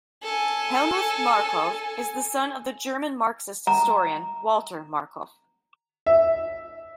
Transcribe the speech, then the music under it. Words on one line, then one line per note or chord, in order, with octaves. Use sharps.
Helmuth Markov is the son of the German marxist historian Walter Markov.
A4 G#5
A#5
E5